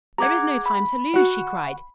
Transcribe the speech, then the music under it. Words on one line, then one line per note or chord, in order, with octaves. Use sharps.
"There is no time to lose," she cried.
G#4 F#5 A#5 D6 G#6
B5
F#4 F#5